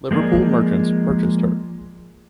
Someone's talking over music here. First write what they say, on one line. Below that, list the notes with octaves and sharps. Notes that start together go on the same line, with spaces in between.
Liverpool merchants purchased her.
F3 G#3 A#3 G#4 D5